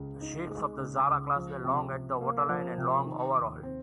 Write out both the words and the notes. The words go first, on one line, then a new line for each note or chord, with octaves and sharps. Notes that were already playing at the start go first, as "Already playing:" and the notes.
The ships of the "Zara" class were long at the waterline and long overall.
Already playing: C#2 C#3
D#4
G#3
C#3
C#2
F3
C3
C3
A#3
F3
C3
D#3
D#2
C4